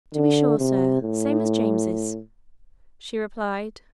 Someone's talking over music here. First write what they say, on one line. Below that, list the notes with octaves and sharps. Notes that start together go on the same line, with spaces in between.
"To be sure, sir--same as James's," she replied.
D3
C3
A2